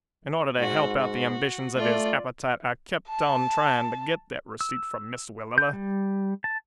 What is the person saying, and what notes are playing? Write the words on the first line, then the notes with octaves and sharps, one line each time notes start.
In order to help out the ambitions of his appetite I kept on trying to get that receipt from Miss Willella.
G#2 F#4
F#4
A3 F4 D5
A5
E6
G6
G3
A5